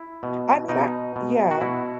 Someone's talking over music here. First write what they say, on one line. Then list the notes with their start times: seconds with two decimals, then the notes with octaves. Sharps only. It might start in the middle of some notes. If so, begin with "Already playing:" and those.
I mean, I yeah.
Already playing: E4
0.23 B2
0.68 B2 D#4
1.16 B2
1.51 F#4
1.61 B2 E4